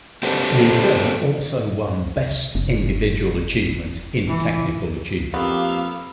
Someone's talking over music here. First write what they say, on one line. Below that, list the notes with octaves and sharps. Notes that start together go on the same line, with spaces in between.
The film also won "Best Individual Achievement" in technical achievement.
C4 G4 A4 B4 C5
F#1
E3
F2 A#3 B3 G4 F5 E6